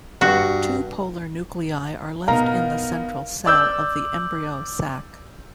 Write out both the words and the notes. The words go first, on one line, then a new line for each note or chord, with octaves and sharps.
Two polar nuclei are left in the central cell of the embryo sac.
G2 F#4
B2 B3 D#4 A#4 F5 A#5
D5 E6 G6